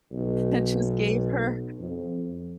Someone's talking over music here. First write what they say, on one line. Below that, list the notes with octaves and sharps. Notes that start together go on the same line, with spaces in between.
and just gave her
B1
F2